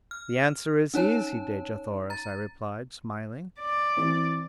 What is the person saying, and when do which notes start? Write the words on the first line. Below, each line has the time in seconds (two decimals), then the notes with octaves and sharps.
"The answer is easy, Dejah Thoris," I replied smiling.
0.11 F6
0.94 C#4 D#4 C#5 A5
2.10 A#5 A6
3.60 D5
3.97 E3 C4